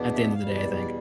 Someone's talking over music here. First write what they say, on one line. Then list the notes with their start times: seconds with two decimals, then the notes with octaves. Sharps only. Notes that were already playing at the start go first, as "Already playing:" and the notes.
at the end of the day, I think.
Already playing: E2 B2 B3 D4
0.14 E5
0.34 E2 B2 G3 F5
0.54 D5
0.74 D5